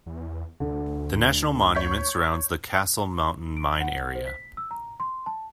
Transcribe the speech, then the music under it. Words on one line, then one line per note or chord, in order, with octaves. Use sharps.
The national monument surrounds the Castle Mountain Mine Area.
E2
D2 D3
C#5 G6 B6
D7
F#5
C5
B6
E6
A#5
C6
A5